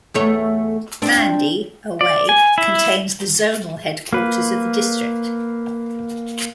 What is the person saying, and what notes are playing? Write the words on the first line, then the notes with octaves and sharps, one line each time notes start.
Mandi, away, contains the Zonal headquarters of the district.
E2 A3 C#5
C4 D4
D5
G#5
E4
A#3 B4